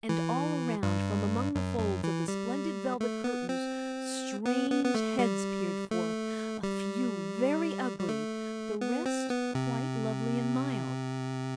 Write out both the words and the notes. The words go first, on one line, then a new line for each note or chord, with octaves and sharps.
And all around, from among the folds of the splendid velvet curtains, strange heads peered forth; a few very ugly, the rest quite lovely and mild.
E3
G2
F#2
F#2
E3
G3
A3
B3
C4
B3
B3
B3
A3
G3
A3
G3
G3
A3
B3
C4
B3
C3